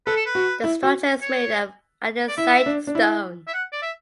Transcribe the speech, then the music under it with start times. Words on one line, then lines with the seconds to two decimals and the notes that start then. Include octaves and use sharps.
The structure is made of andesite stone.
0.06 A4 B4
0.16 A4
0.26 B4
0.35 F#4
0.64 E4
0.83 F#4
1.22 C#5
2.28 D5
2.37 E4 E5
2.66 D4
2.87 D4
2.95 E4
3.47 E5
3.54 F#5
3.72 D5
3.82 E5